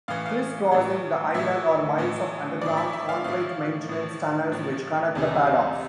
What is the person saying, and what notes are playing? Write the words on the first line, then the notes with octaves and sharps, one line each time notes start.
Criss-crossing the island are miles of underground concrete maintenance tunnels which connect the paddocks.
A2 E3 F5
F5
A2 E3
A2 E3 E5
A2 E3
A2 F3 D5
E5
E5
F5
A2 F3 F5
A2 F3
A2 F3
E2 C3 E3